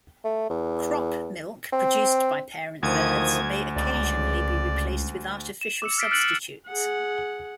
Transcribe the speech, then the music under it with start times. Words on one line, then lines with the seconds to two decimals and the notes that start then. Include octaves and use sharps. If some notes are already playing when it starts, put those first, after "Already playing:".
Crop milk produced by parent birds may occasionally be replaced with artificial substitutes.
0.25 A3
0.50 E2
1.73 C4
2.83 D2 D#3 F3 D#6 G#6
3.76 C#2 D5
5.61 E7
5.82 D6 E6 C#7
5.97 E6 F6 A6 B6 C7 D7
6.11 F6 F#6 A6 C#7 D7 F#7
6.67 G#4 F#5